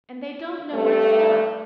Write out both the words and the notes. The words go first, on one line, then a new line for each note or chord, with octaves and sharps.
And they don't know where to stop.
G2 A3